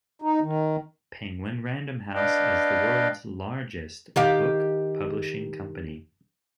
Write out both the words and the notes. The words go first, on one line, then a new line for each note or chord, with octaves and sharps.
Penguin Random House is the world's largest book publishing company.
D#4
D#3
D4 B4 D5 D#5 F5 G5
D#3 G4 F5